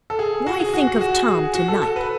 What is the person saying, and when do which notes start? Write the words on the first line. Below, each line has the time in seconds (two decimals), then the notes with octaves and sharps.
Why think of Tom to-night?
0.10 A4
0.19 G#4
0.47 F#4
0.60 G#4
0.73 F#4
0.87 F#4
0.96 G#4
1.01 F#4
1.28 G#4
1.55 F#4
1.68 A4
1.82 A4
1.96 B4